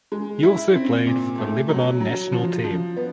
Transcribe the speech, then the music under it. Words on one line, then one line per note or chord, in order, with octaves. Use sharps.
He also played for the Lebanon national team.
G#3
E4
C4
A#2
A3
F#3
F#3
F3
F3
B3